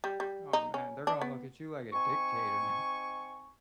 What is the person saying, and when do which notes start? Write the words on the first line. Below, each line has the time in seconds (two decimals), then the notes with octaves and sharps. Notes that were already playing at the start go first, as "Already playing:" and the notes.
Oh man, they're gonna look at you like a dictator now.
0.04 G3
0.20 G3
0.53 D#4
0.74 C#4
1.07 D4
1.21 B3
1.93 C4 D#4 G#5 C#6